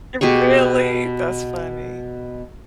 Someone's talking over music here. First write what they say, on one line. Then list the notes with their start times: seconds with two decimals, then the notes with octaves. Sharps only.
Really? That's funny.
0.21 B2 G4 G#4 C#6